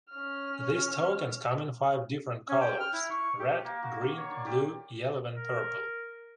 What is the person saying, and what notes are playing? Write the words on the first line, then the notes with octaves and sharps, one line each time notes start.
These tokens come in five different colors: Red, Green, Blue, Yellow and Purple.
C#4 F6
C#4
G5
F6
E4
C#6
G4
A#3
F#4
D#3
C#5
D4
G4
A#4